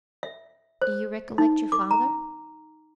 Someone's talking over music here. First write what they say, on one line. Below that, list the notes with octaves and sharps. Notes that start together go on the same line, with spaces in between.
"Do you recollect your father?"
E5
C5
D#4
D6
A#5